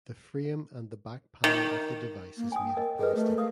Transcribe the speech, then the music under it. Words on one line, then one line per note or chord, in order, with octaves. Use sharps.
The frame and the back panel of the device is made of plastic.
D#3
A#3
G5 G#5 D#6
A#4 D#5
G#4 A4 B4 D#5
A3
F5 D#6